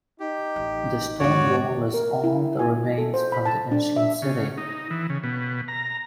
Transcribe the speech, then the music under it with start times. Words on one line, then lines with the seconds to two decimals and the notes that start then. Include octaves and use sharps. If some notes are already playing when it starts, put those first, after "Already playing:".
The stone wall is all the remains from the ancient city.
0.20 D#4 G4
0.56 A1
1.20 F2 G#2 F#4 C#5 D5
1.94 A#4
2.24 E4
2.59 G#5
2.98 A4
3.14 C5
3.32 B5
3.45 A5
3.72 D4
3.96 E5
4.22 C#3
4.58 D#4
4.90 E3
5.10 C#3
5.23 B2
5.68 A#5